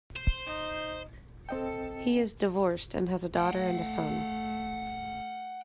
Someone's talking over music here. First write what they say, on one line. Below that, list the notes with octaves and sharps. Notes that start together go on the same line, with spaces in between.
He is divorced and has a daughter and a son.
C5
D#4
C4 A4 D#5 G5
A3 F#5 G5